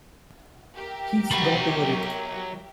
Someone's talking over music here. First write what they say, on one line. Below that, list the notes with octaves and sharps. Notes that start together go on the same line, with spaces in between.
He’s got over it.
G4 A#4 E5
F#3 B5